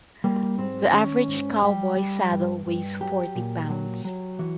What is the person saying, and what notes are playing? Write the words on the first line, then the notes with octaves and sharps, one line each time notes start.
The average cowboy saddle weighs forty pounds.
G3 A#3
G#2 C4
D#3 C#4
G#2
G3 G4
G3
G2
G2
F#3 G4
A#2
F#3
F#3
E3 F#4